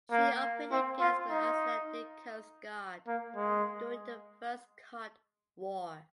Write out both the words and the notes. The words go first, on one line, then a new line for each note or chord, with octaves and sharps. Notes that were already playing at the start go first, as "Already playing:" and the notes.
She operated against the Icelandic Coast Guard during the First Cod War.
A#3
C4
F4
D#4
A#3
G#3